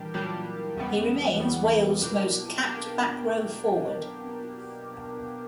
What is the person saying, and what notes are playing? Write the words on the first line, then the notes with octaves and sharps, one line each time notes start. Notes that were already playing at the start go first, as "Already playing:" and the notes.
He remains Wales most capped back row forward.
Already playing: A#2 E3 G3 A#3 D4 G4
A#2 F#3 G3 A#3 D4 G4
E2 C#3 G3 B3
E3
E2 C#3 F#3 G3 B3
B2 F#3 A#3 D4 G4
A#3 D4 G4